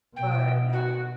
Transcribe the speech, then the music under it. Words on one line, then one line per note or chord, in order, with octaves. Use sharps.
but, yeah,
B2 G5
F#4